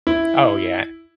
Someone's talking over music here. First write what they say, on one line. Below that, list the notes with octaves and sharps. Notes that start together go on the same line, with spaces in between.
Oh, yeah.
E4